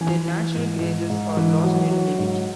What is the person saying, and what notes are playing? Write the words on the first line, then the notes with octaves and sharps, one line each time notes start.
Their natural graces are lost in levity.
E3 G#5
E3
G#2
G#2
G#2
E3
F#3
F#3
G#2